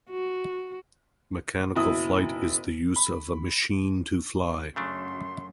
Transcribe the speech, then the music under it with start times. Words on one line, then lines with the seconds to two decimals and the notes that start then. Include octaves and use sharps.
Mechanical flight is the use of a machine to fly.
0.10 F#4
1.75 F#1 B2 E4 D#6
2.96 B5
4.76 F#2 C#3 A3 D4 C6